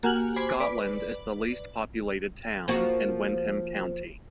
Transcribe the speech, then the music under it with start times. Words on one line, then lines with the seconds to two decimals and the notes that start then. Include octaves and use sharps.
Scotland is the least populated town in Windham County.
0.03 A#3 F#4 G4 G#5 F6 F#7
0.36 C5 G#5 B5 D6
0.60 B4 D5
2.68 F3 A#3 F#4